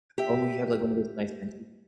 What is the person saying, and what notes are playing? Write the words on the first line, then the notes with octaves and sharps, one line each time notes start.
Oh, you have, like, one of those nice vintage
G4 E5